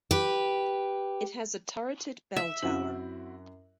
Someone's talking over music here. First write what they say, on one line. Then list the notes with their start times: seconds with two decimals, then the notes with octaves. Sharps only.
It has a turreted bell tower.
0.11 G4 B4
2.36 E5
2.63 F#2 C4 E4 F#4 F#7